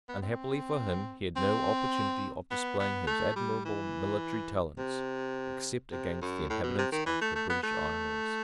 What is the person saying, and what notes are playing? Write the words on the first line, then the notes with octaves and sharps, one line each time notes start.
Unhappily for him he had no opportunity of displaying his admirable military talents, except against the inhabitants of the British isles.
B3
C4
C4
B3
B3
A3
G3
E3
C3
C3
F#2
A2
B2
C3
D#3
E3
A3
A3
B3
A3